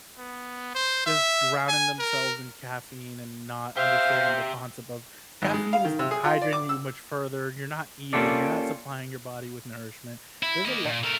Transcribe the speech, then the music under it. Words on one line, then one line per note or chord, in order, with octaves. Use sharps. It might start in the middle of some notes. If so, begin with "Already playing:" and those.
just drowning themselves in caffeine and not understanding the concept of "Caffeine is dehydrating you much further. You're not eating, you're not supplying your body with nourishment." There's a lot
B3
C5
E5
G#5
A#4
G4 C5 E5 F5
G#1
G#3
F5
D#3
C3
G#4
F4
D5
D6
E6
A#3 C#4 F4 G4 A4 D5
E4
A#3 D#5
A#2
A3 A#4